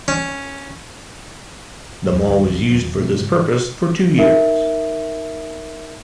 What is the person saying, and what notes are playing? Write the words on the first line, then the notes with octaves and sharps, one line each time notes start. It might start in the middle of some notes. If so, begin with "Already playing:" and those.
The mall was used for this purpose for two years.
C#4
D#2 A2 F3 G#3
B1 E2 D#3 G3
E2 D#3 F#3 A#3
B2 A3 C4
G#2 C#3 G#3
D#4 A#4 E5